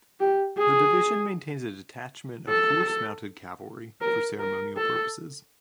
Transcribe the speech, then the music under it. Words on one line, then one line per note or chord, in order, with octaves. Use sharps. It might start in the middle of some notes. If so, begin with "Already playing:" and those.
The division maintains a detachment of horse-mounted cavalry for ceremonial purposes.
G4
G#4
A4
A#4
A#4
A4